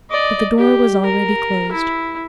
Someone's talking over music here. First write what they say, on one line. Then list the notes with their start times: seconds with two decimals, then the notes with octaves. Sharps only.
But the door was already closed.
0.10 D5 D#5
0.58 G4
1.05 A#4
1.72 E4